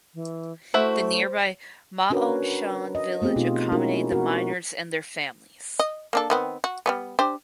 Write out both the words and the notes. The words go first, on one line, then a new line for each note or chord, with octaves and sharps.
The nearby Ma On Shan Village accommodated the miners and their families.
E3
A3 E4 F#4 C5 E5
C#4 D4 F#4 A#4 B4 C#5
D#5
A3 B3 C4 G4 G#4
B2 D#4 F4
G#3 C#4 D#4 E4 F#4 A#4
F#4 A#4
D#5
A#3 D4 A4
D#3 B3 C4
F#4
G3 A3 B3
D4 G4 C5